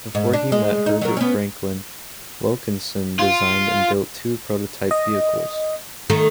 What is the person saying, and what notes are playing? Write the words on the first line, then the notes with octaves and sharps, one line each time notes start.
Before he met Herbert Franklin, Wilkinson designed and built two prototype vehicles.
G#2
D4
G#3
D#4
F#3 A#4
B3 C#4
F4
D#5
D#3 A3